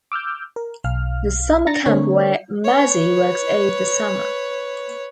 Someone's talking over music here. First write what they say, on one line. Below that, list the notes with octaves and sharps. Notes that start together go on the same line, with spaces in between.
The summer camp where Maddie works over the summer.
D6 E6 F6 G6
A#4
B1 F5 F6
D4 A#5 A6 A#6 C#7
D3 A3 C4 D4 A#4 C#5
B4 C#5